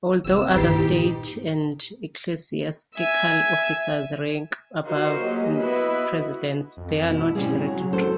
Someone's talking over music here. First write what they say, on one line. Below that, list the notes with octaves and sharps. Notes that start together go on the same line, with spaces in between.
Although other state and ecclesiastical officers rank above in precedence, they are not hereditary.
C#2 C3 E6
G2 A#2 D#3 D#4 E4 G4
E5 G#5
D#4 F4 F#4 A#4 C5 C#5
F#3 A#3 G4 G#4 D#5
B3 E4 F#4 B4 D#5 B5
F#4
F2
B2 E4
C#3 G3 C4 G#4
F#3
F#2 A4 C5